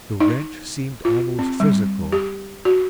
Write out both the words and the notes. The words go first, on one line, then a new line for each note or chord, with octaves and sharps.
The wrench seemed almost physical.
D#4
F4
C4
G3
G4
F#4